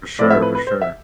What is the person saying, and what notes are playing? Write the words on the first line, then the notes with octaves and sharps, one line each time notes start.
For sure, for sure.
A2 F3 A3 C4 E4 D5
E5
B4
B4
C5
E5